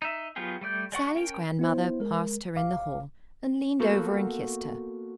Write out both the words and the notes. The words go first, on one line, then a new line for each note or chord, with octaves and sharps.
Sallie's grandmother passed her in the hall and leaned over and kissed her.
D#4 E5
F#3 B3 F4 G4 G#4
G3 A3 D5 G6
G#3 D5 F#5 C#6
C#4 A#4 G5
B3 E4 C5
G#3 A#4
A1 F5 D6
A#3 B3 F#4 A4 A#4 C5